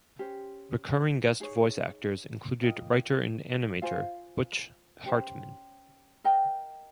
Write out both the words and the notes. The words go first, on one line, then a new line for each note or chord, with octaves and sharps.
Recurring guest voice actors included writer and animator Butch Hartman.
C#4 G4 C5
D#4 G#4 C#5
F4 A#4 D#5 G5
F4 C5 F5 G#5
C#4 G4 C5
A#4 D#5 G5 A#5